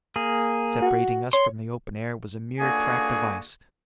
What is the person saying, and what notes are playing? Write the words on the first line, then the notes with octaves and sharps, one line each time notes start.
Separating us from the open air was a mere tract of ice.
A#3 G#4
F#4
C#5 C6
C#2 D3 A#3 F#4 G#4 G#5